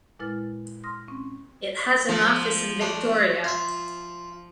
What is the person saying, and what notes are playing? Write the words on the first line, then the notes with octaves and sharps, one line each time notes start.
It has an office in Victoria.
A#2 G#3 E4 B4 F6 A6
C6 D#6 F6 A#6
C4 C#4
F3
A3 D4
F4 E5